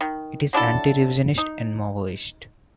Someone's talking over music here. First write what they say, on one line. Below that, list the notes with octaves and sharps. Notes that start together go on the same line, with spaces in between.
It is Anti-Revisionist and Maoist.
D#3
F#3 D4 E4 A4
D#4